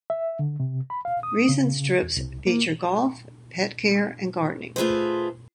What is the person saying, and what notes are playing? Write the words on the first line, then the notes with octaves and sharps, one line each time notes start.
Recent strips feature golf, pet care and gardening.
E5
D3
C3
B5
F5
D#6
C#3
E2
C2
A#3
A3 F4 G#4 B4 C5